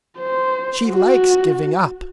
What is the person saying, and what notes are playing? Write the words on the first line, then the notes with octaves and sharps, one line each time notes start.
"She likes giving up."
C5
F#4